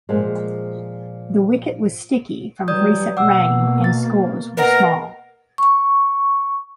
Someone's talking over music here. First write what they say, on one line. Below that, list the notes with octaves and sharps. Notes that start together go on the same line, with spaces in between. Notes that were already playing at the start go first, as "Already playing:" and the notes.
The wicket was sticky, from recent rain, and scores were small.
A#2 F3 G#3
E3 F#3 G3 D5 D#6 G6
B2 A#3 F#5 D6 E6
A6
A#4 B4 D#5 F#5
C#6